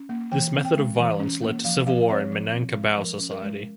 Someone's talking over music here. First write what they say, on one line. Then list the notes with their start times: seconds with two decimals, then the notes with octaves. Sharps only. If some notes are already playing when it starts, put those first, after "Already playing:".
This method of violence led to civil war in Minangkabau society.
Already playing: C#4
0.09 A#3
0.32 E3 G5
0.54 C4
0.65 G5
0.76 G#3
0.98 E3
1.20 C#4
1.43 A#3
1.64 F3 F5
1.86 F3 F5
2.09 C4 C#5
2.31 F3
2.53 C4
2.75 G#3
2.97 F3 A#4
3.19 C#4
3.30 A#4
3.42 G#3